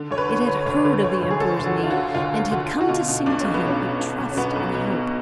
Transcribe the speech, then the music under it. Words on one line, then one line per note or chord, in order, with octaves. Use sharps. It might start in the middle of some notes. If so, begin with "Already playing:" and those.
It had heard of the Emperor's need, and had come to sing to him of trust and hope.
Already playing: D3
D2 C#5
B4
D3
C#5
D3
D2 C#5
D3
D2 C#5
D2
G#4
D2 A4
D2
F#4
D3
F4
F#4
D3
D2 F4
D3
D2 F#4
D3
F#4
B2 F4
B2
B1 D4
B1 C#4
B3
B2 C#4
B2
B2
B1
C#4
B2 B3
B1
B2
B2